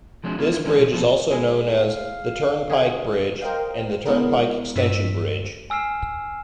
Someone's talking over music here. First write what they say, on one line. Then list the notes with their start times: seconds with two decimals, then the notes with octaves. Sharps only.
This bridge is also known as "The Turnpike Bridge" and "The Turnpike Extension Bridge".
0.24 F3 G#3 C4 D4 F#4
0.38 G#3 B3 E4 F4 A#4
0.52 D3 D#3 E4
0.65 E3 G#3 A#3 C4 C#4
0.78 B2 C#4
0.92 A#2 F3 F#3 B3 C4 A4
1.31 G#3 E4
1.77 F5
2.70 D3 G#4
3.41 A#4 C5 D#5 F5 G5
4.06 G#3 B3 E4 G#4 A#4
4.76 G2 E6 B6 E7
5.70 G#5 E6 F6 C7 E7